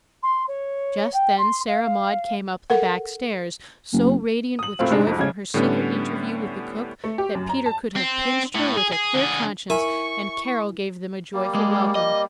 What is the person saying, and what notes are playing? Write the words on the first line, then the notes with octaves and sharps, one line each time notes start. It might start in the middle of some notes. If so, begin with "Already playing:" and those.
Just then Sarah Maud came up the back-stairs, so radiant with joy from her secret interview with the cook, that Peter could have pinched her with a clear conscience, and Carol gave them a joyful welcome.
C6
C#5
G5
C6
F5
A4 A#4 F#5
F#1
D#6 F#7
F1 A#2 A3 C4 F5
G#2 C3 G#3 D4 D#4
F2 G#2
A1 C#3 G#6
A2 D3 G3 B3 C#4
A3
G4
F#2
A#5
A5
C4
A2
G#4
G#4
D3 G#4
E4 A#4 E5 G#5 C#6
G3 A#3
G#3
D#5